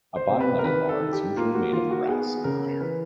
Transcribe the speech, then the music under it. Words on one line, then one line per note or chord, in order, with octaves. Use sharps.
A bimetal bar is usually made of brass and iron.
C5
C3
B4
A#4
D#3 B4
A4
D#3
G4
A#3 F4
F#4
D#3 F4
F#4
B3 G#4
C#3 A#4
E3 B4